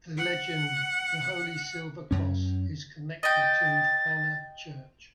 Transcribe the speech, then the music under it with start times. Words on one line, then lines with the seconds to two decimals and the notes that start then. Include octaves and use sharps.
The legend "The Holy Silver Cross" is connected to Fana church.
0.18 F#5
2.11 F#2 C#4
3.23 D#5 G5 A6